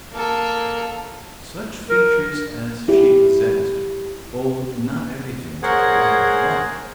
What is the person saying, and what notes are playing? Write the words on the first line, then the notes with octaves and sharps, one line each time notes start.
Such features as she possessed, owe not everything to the light of life.
A#3 A4
A#4
E4 G4
G#4 A#4 C5 C#5 F#5